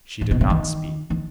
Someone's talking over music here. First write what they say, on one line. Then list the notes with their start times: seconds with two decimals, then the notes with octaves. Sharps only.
She did not speak.
0.21 A2
0.31 B2
0.41 C3
0.50 D#3
1.10 D#3